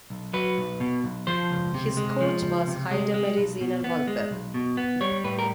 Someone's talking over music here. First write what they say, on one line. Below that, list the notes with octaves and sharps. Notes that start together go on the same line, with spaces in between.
His coach was Heidemarie Seiner-Walther.
B1
F#3 B4
B1
B2
B1
F3 C5
C#2
C3
G#3
F3
C#2
C3
G#3
G#3
B1
B2
B3
G#3
B1
B2
B3
G3 C#5
A2 B4
A#4